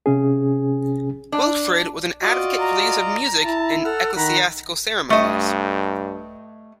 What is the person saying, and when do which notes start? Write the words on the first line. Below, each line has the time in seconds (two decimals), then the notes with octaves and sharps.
Wilfrid was an advocate for the use of music in ecclesiastical ceremonies.
0.06 C3 C#4 G#4
1.32 D4
2.23 F4 F#4 D5 D#5
2.59 A#5
3.45 E4 A5
3.84 A4 F#5 E6 F6
4.16 D#3 F#5 A#5 B5
5.10 G2 A3 D#5